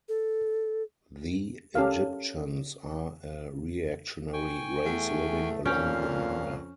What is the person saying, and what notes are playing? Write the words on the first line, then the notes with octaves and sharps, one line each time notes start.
The Egyptians are a reactionary race living along the Nile.
A4
C#4 G4 A4 A#4 F5
G5 G#5 C#6
E2 A3
F2 A#2 C#4 F5 G5